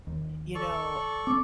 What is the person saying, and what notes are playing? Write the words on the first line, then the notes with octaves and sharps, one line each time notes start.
you know,
D#2
A4 D5 C#6
C4 D6